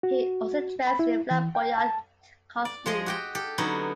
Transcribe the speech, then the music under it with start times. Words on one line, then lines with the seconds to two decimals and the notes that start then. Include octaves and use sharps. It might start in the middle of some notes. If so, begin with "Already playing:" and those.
He also dressed in flamboyant costumes.
0.03 F#4
0.87 B5
0.99 E4
1.31 E3
1.55 G5
1.78 A5
2.65 D5
2.86 F3 G#3 G#4 D#5
3.06 F#4 G4 G5
3.35 G4 A4
3.58 D3 F#3 B3 C#4 D#4